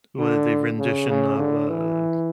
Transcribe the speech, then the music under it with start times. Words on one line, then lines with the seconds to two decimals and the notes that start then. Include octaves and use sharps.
W the rendition of, uh,
0.19 D3
0.79 C#3
1.09 C#3
1.39 D3
1.69 E3